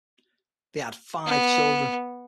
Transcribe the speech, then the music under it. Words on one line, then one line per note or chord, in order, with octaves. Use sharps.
They had five children.
B3